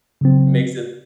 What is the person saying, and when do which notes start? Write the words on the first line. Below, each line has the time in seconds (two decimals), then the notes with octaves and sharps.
It makes it
0.21 C#3 F#3 C4